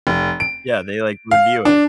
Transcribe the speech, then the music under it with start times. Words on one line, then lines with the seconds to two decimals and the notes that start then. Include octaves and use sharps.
Yeah, they, like, review it.
0.07 F1
0.40 D7
1.31 F5
1.65 D4